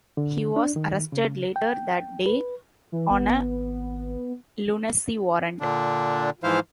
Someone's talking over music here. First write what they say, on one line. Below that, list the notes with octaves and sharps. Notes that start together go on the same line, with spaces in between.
He was arrested later that day on a lunacy warrant.
D3
D4
D#3
C#3
G5
B4
E3
G#1 B3
A#2 D3 D4
G#2 E3 F3 E4 C5 F5